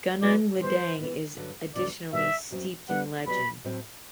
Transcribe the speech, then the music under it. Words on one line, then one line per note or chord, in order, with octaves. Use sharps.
Gunung Ledang is additionally steeped in legend.
F#3 B3 E4 B4 D5
E3 G3 B3 E4 C5
E3 B3 E4
G2 D3 F#3
E2 D3 F#3 A3 D5
B2 G3 D4 E5
F#2 F#3 C4
G3 B3 D4 F#5
F#3 B3 E4 G4 D5 B5
A2 F#3 C4 E4 A4